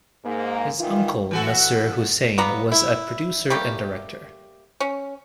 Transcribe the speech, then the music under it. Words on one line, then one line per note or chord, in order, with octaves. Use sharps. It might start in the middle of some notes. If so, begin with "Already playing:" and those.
His uncle Nasir Hussain was a producer and director.
G#2 A#3
D#3 E3 F4
E3 F#4 A4
B3 D5 F5 A#5
E4
G3 A3 A#3 G4
C#4